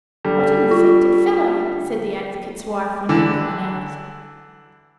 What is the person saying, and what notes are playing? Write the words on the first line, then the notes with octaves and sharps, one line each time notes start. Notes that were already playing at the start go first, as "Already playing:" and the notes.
"What an affected fellow!" said the advocate's wife, when he had gone out.
D3 G3
F4
D3 E3